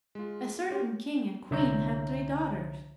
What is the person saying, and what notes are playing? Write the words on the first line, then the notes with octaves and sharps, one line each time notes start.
A certain king and queen had three daughters.
G#3 F4
C#4 D4 F4 G4 C#5
C2 D3 C#5 E5 A#5 G6